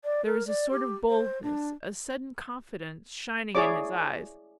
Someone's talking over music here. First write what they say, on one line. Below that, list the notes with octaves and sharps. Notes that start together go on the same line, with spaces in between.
There was a sort of boldness, a sudden confidence shining in his eyes.
D5
A#4
D5
G4
C5
D4
E4 G#4 C#5 D5 D6